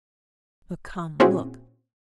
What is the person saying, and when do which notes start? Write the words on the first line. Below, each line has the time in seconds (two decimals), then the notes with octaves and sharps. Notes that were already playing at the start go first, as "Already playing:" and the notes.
But, come--look!
1.20 A#2 C4 C#4 E4 F#4 G#4